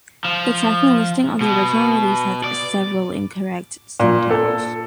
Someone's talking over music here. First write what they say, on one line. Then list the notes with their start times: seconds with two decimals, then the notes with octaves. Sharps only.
The track listing on the original release has several incorrect song titles.
0.25 F3
1.41 B2
2.44 D5
4.00 A#2
4.30 A4